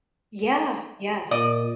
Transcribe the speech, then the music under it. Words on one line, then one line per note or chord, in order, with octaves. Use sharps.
Yeah, yeah,
A#2 D5 D#5